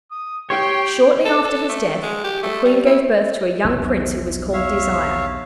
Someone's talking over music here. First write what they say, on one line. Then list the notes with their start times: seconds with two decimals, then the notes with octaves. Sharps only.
Shortly after his death, the Queen gave birth to a young Prince, who was called Desire.
0.11 D#6
0.50 G4 C#5 G5 C6
1.25 A4
1.44 A4
1.69 A3
2.03 G#3
2.24 G4
2.43 A3
2.65 G3
2.86 E4
3.64 B1 E2 C3
4.53 C#5 E5 F5